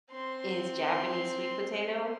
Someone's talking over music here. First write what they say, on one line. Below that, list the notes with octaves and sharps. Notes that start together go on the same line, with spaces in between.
is Japanese sweet potato.
C4 C6